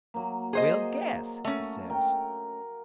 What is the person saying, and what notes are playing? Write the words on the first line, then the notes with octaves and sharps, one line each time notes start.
"Well, guess," he says.
F#3 A#3
G#4 C5 D#5
A3 C#4
A#4 G5